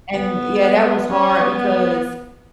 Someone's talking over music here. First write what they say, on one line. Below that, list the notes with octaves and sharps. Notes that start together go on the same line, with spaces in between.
And yeah, that was hard because,
B3
C#4
B3